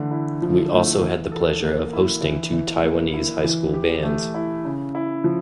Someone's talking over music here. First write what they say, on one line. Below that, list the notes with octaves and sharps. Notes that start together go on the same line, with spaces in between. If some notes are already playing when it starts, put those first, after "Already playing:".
We also had the pleasure of hosting two Taiwanese High School bands.
Already playing: D3 E3 A3
E4
F3
A3
E3
A4
A#3
E4
E3
E3
A#3
E4
E3
G4
A3
E4
C#3
E4
F3